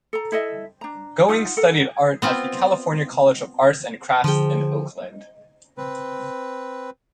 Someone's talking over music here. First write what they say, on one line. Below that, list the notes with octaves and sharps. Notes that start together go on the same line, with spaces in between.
Goings studied art at the California College of Arts and Crafts in Oakland.
A4 A#5
E4 A4 D#5 E5
D4 A#5
D#4 F4 F#5
A4 A#4 F#5
B3 C4 F4
D3 F3 G#4 G5
C4 B4